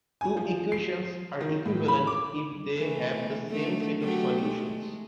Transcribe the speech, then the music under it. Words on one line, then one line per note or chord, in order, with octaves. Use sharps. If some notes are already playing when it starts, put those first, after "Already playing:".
Two equations are equivalent if they have the same set of solutions.
G#5
F3
C7
D#3
A2
B5
D6
E3 A3
D3 A3 D#4
F#3 A3 G4
G#3 A3